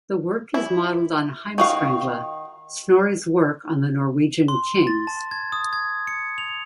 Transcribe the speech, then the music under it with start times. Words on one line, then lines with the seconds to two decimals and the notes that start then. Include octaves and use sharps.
The work is modelled on the "Heimskringla", Snorri's work on the Norwegian kings.
0.54 E4
1.58 D#3 F#4 F5
4.48 C6
4.87 A6
5.07 A5
5.31 G#6
5.52 D#6
5.73 G#6
6.07 C#7
6.38 F7